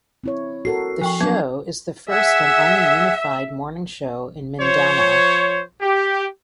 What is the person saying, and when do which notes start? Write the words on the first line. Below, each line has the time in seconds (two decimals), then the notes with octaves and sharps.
The show is the first and only unified morning show in Mindanao.
0.24 C4 E4 C#5
0.65 F#4 A4 A#4 C7
1.01 F3 G5 C#6
1.20 F#3 B3 C4 D4 G#6
2.11 G#4 E5 F#5
4.61 F3 C5 C#5
5.81 G4